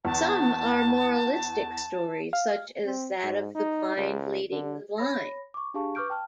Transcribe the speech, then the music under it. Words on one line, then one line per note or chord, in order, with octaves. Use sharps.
Some are moralistic stories such as that of the "blind leading the blind".
E2 A5
F5
C4
G#2
D#4
C#2
D3
C#5 B5 A#6
C#6 D6
D4 G4 G#4 F5 A5 C#6
B4 C#6 D6 F6 G6 D7
G5 A5 F6